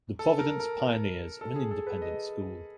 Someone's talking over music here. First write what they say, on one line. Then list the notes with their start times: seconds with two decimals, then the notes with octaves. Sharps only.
The Providence Pioneers are an independent school.
0.19 A4
0.39 A#4
0.60 A#4
1.41 A4
1.56 G#4
1.71 A4
1.87 B4
2.02 D#5